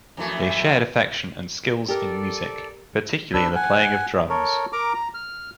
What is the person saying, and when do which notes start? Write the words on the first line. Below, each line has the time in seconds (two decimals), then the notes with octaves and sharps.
They shared affection and skills in music-particularly in the playing of drums.
0.17 F2 E3 A3
1.88 G4 A4 A#4 D5
3.34 D4 B4 E6
3.56 F#5 G#5
4.29 A4 A#4 C#5
4.73 A#4 A#5 D6
4.94 A#5
5.14 F6